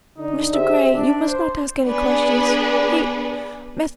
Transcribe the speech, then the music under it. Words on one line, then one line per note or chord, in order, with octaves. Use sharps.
Mr. Grey, you must not ask any questions. He,--Mr.
D3 D4 D#4
G4 G#4 C5 E5
D4
C5
B3 D4 G#4 B4